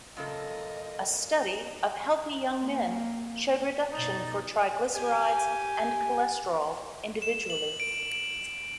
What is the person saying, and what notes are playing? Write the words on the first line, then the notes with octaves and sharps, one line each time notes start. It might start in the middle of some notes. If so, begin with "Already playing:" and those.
A study of healthy young men showed reduction for triglycerides and cholesterol individually.
F#2 A#2 C#3 A4 D#5
A#3
F#2 B2 D#4 D5
G4 G#5
E7
F#7
D7
D7